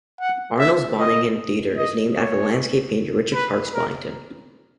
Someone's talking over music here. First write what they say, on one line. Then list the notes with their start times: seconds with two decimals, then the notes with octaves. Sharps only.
Arnold's Bonington Theatre is named after the landscape painter Richard Parkes Bonington.
0.20 F#5
0.59 E5
0.99 D#5
1.78 D#5
2.17 C#5
3.34 B4
3.74 A#4